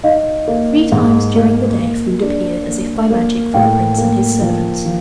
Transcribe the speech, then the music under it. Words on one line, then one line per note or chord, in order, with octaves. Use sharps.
Three times during the day food appeared, as if by magic, for the prince and his servants.
D#4 D#5 F5
A#3
G#2
A#3
A#3
D4
A#3
A#3
A2 F5 G5
A#3
F3
F3